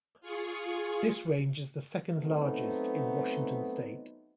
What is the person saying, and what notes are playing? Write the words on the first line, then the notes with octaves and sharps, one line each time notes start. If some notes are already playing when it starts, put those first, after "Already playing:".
This range is the second largest in Washington State.
F4 G#4 C#6
F#3 A3 B3 C4 D#4